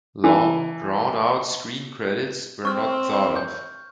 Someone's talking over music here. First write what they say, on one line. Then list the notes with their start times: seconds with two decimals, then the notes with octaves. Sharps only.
Long, drawn out screen credits were not thought of.
0.24 E3
2.65 C4 C#6 F6
3.36 G6